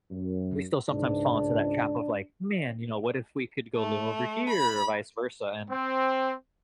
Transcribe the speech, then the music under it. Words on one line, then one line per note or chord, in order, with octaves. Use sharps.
we still sometimes fall into that trap of, like, "Man, you know, what if we could go live over here," or vice versa, and
F#2
C#2 G#2 D4
A3
B5
C4